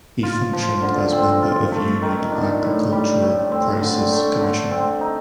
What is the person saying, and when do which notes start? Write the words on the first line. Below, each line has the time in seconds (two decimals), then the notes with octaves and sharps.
He functioned as member of Union Agricultural prices Commission.
0.23 F4
0.53 F3
0.82 D3
1.12 C4
1.42 F4
1.72 A3
2.02 D#3
2.32 D4
2.62 A2
2.92 G3
3.22 A2
3.52 C4
3.82 D3
4.12 A3
4.41 D3
4.71 C4
5.01 D#4